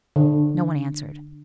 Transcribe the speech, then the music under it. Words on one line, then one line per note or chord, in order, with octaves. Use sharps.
No one answered.
D3